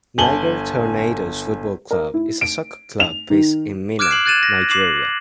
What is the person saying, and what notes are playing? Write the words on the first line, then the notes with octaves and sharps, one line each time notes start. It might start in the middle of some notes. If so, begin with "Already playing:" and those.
Niger Tornadoes Football Club is a soccer club based in Minna, Nigeria.
G1 G#5 A5 F#7 G7
A#4
E4
D7
F7
D#3
D6 F6 F#6 G#6 D7 E7
C7 F#7
F#6 G#6 A6 D#7 E7
A#6
D6 C7 E7 F#7